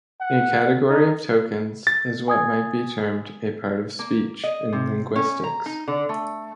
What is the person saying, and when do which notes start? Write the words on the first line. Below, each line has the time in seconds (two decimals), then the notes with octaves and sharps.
A category of tokens is what might be termed a part-of-speech in linguistics.
0.21 F#5
0.89 D#4
1.87 A6
2.28 G#5 D#6 G#6
3.99 A#3
4.44 D#5
4.73 C3
5.16 C#4
5.44 A#5
5.66 D#4
5.88 D3
6.09 A3